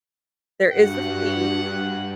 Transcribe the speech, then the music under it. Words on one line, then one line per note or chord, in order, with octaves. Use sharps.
There is a fee,
G2 F#4 F#5